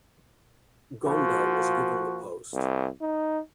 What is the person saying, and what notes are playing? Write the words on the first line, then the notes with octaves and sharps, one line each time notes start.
Ghonda was given the post.
F3 A#3 F#4
C2
D#4